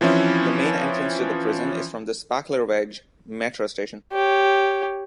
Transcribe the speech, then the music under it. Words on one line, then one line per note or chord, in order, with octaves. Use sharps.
The main entrance to the prison is from the Spaklerweg metro station.
E3 F3 C4 C#4 E4
G4 C#5